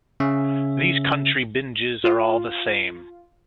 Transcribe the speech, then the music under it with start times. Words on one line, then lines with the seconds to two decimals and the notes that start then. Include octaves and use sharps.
These country binges are all the same.
0.20 C#3 C#4 E5
2.04 F4